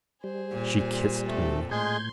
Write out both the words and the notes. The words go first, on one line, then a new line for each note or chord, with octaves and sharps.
She kissed me.
G3 G#4 C5
A#2
A3 C4 A4
A2 G#3 G#4 C6 G6 G#6